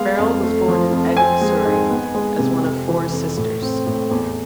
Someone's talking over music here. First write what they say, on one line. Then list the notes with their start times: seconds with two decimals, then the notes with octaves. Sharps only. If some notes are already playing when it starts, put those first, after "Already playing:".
Beryl was born in Egham, Surrey, as one of four sisters.
Already playing: G#3 B3 F5
0.19 F2
0.43 A3
0.68 F3
0.93 F2
1.16 C4 G#5
1.41 G#3
1.65 G#2
1.90 B3
2.15 G#3
2.39 C3
2.64 F2
2.89 E3
3.13 F2
3.38 A2
3.62 C4
3.86 A2
4.11 E2